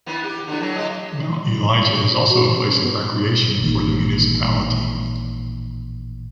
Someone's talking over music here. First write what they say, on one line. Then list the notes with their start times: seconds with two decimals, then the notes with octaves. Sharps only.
Mount Elijah is also a place of recreation for the municipality.
0.06 D#3 B3 E4
0.24 G4
0.47 D3 E3 B3
0.60 E3 F#3 A3
0.76 A2 G4 D#5
2.12 C5
2.28 F#4
2.45 E3
2.68 C#4
2.81 B3
3.62 A1 A#2 D#3